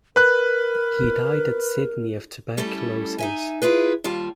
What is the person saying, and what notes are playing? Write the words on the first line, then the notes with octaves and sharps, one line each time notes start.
He died at Sydney of tuberculosis.
A#4 B4 F#6
G3 A3 C#4 E4 A4
D#4 E5 G#5
E4 F4 G#4 B4
D#2 G3 F4 A5